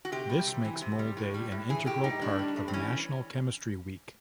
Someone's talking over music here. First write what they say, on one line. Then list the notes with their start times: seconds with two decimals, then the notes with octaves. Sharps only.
This makes Mole Day an integral part of National Chemistry Week.
0.05 F#4
0.12 C3 G4
0.30 G3
0.47 C3
0.65 E3
0.82 C3
0.99 G3
1.17 A2
1.34 G3
1.52 A2
1.69 E3 G#4
1.86 A2 G4
2.04 G3 D#4
2.21 A2 D4
2.39 G3
2.56 A2
2.68 C4
2.73 E3 C#4